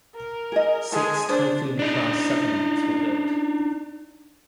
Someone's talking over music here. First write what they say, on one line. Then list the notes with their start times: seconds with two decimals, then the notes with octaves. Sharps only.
Six Typhoon-class submarines were built.
0.15 A#4
0.52 G#4 D#5
0.92 G#3 A4 G#5
1.29 D4 C5
1.79 D4 D#4